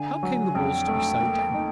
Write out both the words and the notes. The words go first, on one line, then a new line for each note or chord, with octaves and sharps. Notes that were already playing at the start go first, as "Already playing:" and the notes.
How came the walls to be so damp?
Already playing: D3 G#5
F#3
F2 G5
A3
A#3
D#4